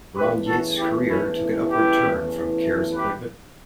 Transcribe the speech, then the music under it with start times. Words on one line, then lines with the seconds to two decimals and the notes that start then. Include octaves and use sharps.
Ron Yeats' career took an upward turn from Kerr's appointment.
0.16 E2 C#3 E3 A3 G4 B4
0.47 F#4 A4
0.78 E4 G4
1.09 C#4 E4
1.70 E4 G4
2.95 G4 B4